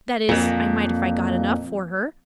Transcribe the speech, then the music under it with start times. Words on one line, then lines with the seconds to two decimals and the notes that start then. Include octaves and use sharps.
That is, I might if I got enough for her.
0.29 F2 A#2